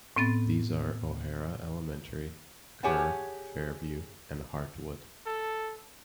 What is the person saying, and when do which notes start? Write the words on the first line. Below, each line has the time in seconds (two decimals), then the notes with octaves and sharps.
These are O'Hara Elementary, Kerr, Fairview, and Hartwood.
0.16 A2 B3 C4 A6
2.83 G4 G#4 C#5 F#5 G#5 A5
5.26 A4